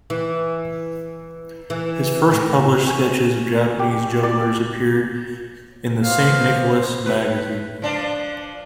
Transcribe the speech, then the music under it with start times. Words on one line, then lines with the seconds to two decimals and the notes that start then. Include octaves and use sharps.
His first published sketches of Japanese jugglers appeared in the "Saint Nicholas Magazine".
0.10 E3
1.70 E3
2.31 A2
2.87 C#4
3.79 G4
4.23 D5
6.03 A#3 B3 C5 F5
7.06 B4
7.82 F3 D4